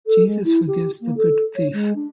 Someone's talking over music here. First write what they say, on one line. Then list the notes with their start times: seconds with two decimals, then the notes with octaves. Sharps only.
Jesus forgives the good thief.
0.06 A4
0.26 G#3
0.44 E4
0.67 G4
1.00 A#3
1.16 A4
1.54 C#5
1.72 G#3
1.95 D4